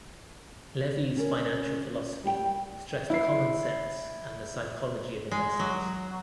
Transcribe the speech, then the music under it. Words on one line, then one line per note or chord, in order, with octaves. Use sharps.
Levy's financial philosophy stressed common sense and the psychology of investors.
C#4 A#4
G3 G4 G5
E4 C7
G#3
F#3